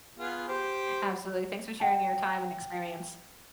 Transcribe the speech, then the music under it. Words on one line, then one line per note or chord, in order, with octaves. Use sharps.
Absolutely, thanks for sharing your time and experience.
B3 F4 G#4
G4 C5
F#5 G5 A5